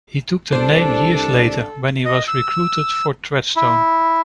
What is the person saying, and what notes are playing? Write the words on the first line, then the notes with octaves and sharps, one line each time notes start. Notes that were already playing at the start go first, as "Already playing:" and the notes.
He took the name years later when he was recruited for Treadstone.
C2 D4 A4 C5
D#5
E6
E4